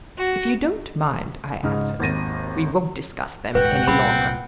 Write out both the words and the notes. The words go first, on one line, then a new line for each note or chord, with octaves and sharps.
"If you don't mind," I answered, "we won't discuss them any longer."
F#4
C#2 G#2 D#4 F6
G#1 D#2 A#3 A6 A#6 D#7
D#1 G#2 F#4 B4 F#5 G5
C2 A#2 G3 C4 B5